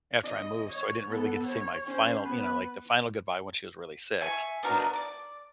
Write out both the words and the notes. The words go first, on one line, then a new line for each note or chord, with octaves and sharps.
after I moved, so I didn't really get to say my final you know, like the final goodbye when she was really sick, you know?
D#5
C#5
B3 A4
C#5
C#4 C5
B3 B4
E5 G#5 C#6
B3 D4 F#4 A#4
D5 D6